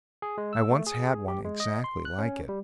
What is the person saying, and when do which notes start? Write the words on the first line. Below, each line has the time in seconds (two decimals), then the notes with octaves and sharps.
"I once had one exactly like it."
0.22 G#4
0.38 G#3
0.53 E6
0.70 A3
0.86 G#4
1.28 G4
1.45 G#3
1.60 D#5
1.84 C6
2.05 F#6
2.19 C#4
2.49 G3